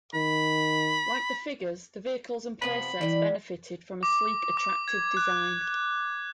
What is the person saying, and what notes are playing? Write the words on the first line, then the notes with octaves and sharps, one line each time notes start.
Like the figures, the vehicles and playsets benefited from a sleek, attractive design.
D#3 B5
C3 F3 B3 B5
B2 D3 E3 G3
D6
D6
G#6
F#6